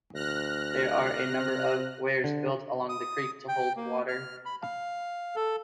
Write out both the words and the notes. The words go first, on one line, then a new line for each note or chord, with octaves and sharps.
There are a number of weirs built along the creek to hold water.
D2 F6 F#6 A#6
C3
D3
D#6
G5
A#3
F6
B5
F5
A4